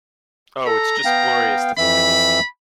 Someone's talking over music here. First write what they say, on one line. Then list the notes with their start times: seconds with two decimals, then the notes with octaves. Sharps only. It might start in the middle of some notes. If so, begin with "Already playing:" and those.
Oh, it’s just glorious to think of it.
0.67 A4 A#5
1.05 B3 F5 G5
1.78 F2 E3 E5 B5